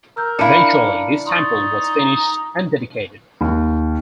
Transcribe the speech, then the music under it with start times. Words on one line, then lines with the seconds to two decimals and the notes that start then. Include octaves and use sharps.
Eventually, this temple was finished and dedicated.
0.17 A#4 E6 G6
0.39 D4 E4 F5 A5 C#7
1.27 D#4 C6 C#6 A6
3.41 D#2